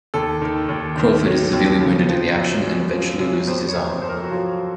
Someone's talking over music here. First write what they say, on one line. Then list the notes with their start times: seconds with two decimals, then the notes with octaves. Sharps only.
Crawford is severely wounded in the action and eventually loses his arm.
0.14 D#2 A4
0.42 D#3
0.69 D#2
0.97 D#3
1.25 F#3
1.53 D#2
1.80 C#3
2.08 F3
2.35 F#2
2.64 F#2
2.92 F3
3.20 F#2
3.47 F2 C5
3.68 C#5
3.75 F2
3.89 C5
4.02 F2 C5
4.09 A#4
4.16 A4
4.24 F#4
4.31 F#3 F4